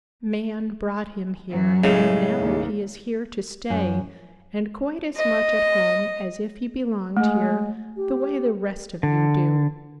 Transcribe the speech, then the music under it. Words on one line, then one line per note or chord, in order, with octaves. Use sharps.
Man brought him here and now he is here to stay and quite as much at home as if he belonged here the way the rest of you do.
F#2 F#3
A2 C#3 G#3
D#2
F#2
D#5
G#3 A3
G4
D3